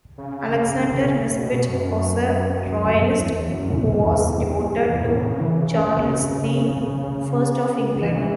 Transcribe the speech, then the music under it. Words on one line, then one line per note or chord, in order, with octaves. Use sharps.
Alexander Nesbit was a royalist who was devoted to Charles the First of England.
C#3
B2
F#2
E2
E2
F#2
E2
A2
C#3
C#3
E3
C#3
E3
C#3
E3